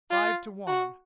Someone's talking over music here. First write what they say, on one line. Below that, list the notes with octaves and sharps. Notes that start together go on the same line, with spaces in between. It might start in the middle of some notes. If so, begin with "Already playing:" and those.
Five to one!
F4
F#4